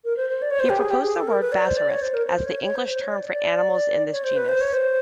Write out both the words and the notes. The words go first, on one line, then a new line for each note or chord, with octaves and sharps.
He proposed the word "bassarisk" as the English term for animals in this genus.
A#4
C5
C5
D5
C#5
C5
G4
G#4
G4
G#4
A4
A#4
B4
D5
C5
D5
C#5
C5
A#4
C5
C#5
C#5
C5
C5
C#5
D5
D5
C#5
C5
B4
C5
C#5
C5